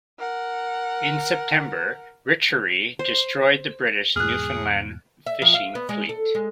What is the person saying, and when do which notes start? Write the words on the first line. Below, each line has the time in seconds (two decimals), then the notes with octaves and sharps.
In September, Richery destroyed the British Newfoundland fishing fleet.
0.19 A#4 F#5
2.99 C5
4.16 E2 G#2 B2 G#4 F6 F#6
5.26 E5
5.42 F3
5.54 F5
5.75 B3
5.89 G#3
6.09 A4
6.35 G#3